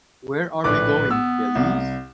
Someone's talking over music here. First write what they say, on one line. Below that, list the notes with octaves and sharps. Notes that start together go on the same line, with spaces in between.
Where are we going Belize?
A#1 A2 B4 D6
B3 E6
C2